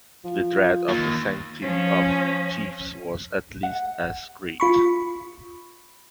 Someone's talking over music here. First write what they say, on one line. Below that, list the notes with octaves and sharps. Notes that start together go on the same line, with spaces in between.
The dread of the sanctity of chiefs was at least as great.
F3
D#2
F3 C#4
F#5
F4 B5 C#6